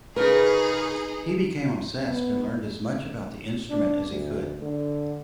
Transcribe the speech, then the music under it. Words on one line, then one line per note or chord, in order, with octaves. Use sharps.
He became obsessed and learned as much about the instrument as he could.
C#3 D#4 G#4 A#4 B4
B3
D4
D2
D3